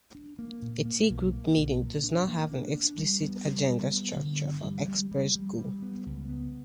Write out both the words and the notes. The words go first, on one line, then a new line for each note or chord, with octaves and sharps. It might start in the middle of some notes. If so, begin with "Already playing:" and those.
A T-group meeting does not have an explicit agenda, structure, or express goal.
D4
A#3
A#2
A#3
B1
A#3
B1
A#2
D4
A#3
D4
D4
G3
B3
G3
G3
B3
D3
G2
G3
G3
G3
G3
G3
B3
C#2
B3